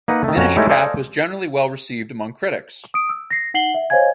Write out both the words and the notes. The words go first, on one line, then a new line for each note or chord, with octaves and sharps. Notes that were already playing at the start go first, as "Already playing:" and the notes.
"The Minish Cap" was generally well received among critics.
A#3 D#4 B4 F#5
D#3 A3
F2 C#4 F#4 A#5
G#3 A3 C#4 D#4 E4 G4
A4 C5 D5 D#5 F5 G#5
D#6 D7
E6
A#6 C7
D#4 F#5 C7 F#7 G7
E5
C5 C#5 D#5 F5 G#5 G#6